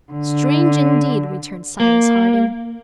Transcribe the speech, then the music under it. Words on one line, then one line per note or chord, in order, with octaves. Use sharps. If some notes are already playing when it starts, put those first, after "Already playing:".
"Strange indeed!" returned Cyrus Harding.
D3
A#3